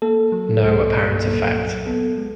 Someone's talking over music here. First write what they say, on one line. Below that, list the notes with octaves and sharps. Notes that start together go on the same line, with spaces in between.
No apparent effect.
A#3 A4
F#3
C2
A#2
A#3
F#3
B3 A4
G#3